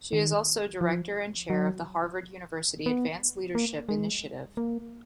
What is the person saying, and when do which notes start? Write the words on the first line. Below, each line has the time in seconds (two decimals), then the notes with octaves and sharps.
She is also director and chair of the Harvard University Advanced Leadership Initiative.
0.13 D#3
0.81 F3
1.50 F#3
2.86 B3
3.55 A#3
3.89 G#3
4.57 A#3